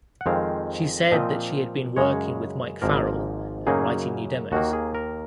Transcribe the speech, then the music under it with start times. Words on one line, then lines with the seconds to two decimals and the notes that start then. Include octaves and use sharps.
She said that she had been working with Mike Farrell and writing new demos.
0.21 F#5
0.26 F2 D#3 G#3 C4 F5
1.12 A#2 F3 C4 D#5
1.96 F#2 C#3 G#3 C#5
2.82 G#1 G#2 F3 A#3 A#4
3.67 F#2 C#3 F#3 A#3 D#4 G#4
4.52 D#2 D#3 A#3 F#4
4.73 G#4
4.95 A#4